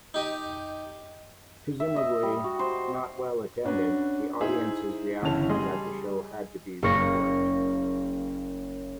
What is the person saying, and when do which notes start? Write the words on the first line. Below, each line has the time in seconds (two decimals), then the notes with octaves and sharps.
Presumably not well attended, the audience's reactions at the show had to be reworked.
0.14 D#4 G4 D#5
1.80 E5
1.96 D#5
2.23 G3
2.44 F#4
2.59 C5
3.65 C#4 D4 F#4 B4
4.41 D#4 E4 G#4 C5 E5
5.22 G1 C#3 E3 C#4 A5 F7
5.49 G3 G#4 D#5 C6
6.82 F#1 A#3 C#6 A#6